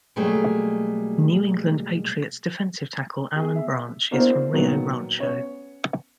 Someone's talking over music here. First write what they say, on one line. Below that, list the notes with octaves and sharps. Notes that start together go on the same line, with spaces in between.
New England Patriots defensive tackle Alan Branch is from Rio Rancho.
B2 F#3 G3 A3 A#3 G#4
G#4
E5
A#3 D4 E4 F#4 A#4 C5
A#2 D#3 F#3 B3
B3 C#4 C#5